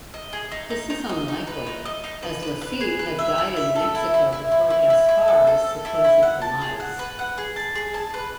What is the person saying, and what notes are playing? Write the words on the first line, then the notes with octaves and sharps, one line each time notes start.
This is unlikely, as Lafitte had died in Mexico before Gaspar's supposed demise.
D#5
G#4
D#4
D#4
D#4
D#5
D#4
B4
D#4
D#5
D#4
B4
B4
B4
G#4
B4
E5
E4
E5
A4
E4
E4
E4
E4
E4
E4
E4
A4
A4
A4
E4
E4
F#5
A5
G#4
F#5
B4
F#5
G#4
A5
G#4
A5
B4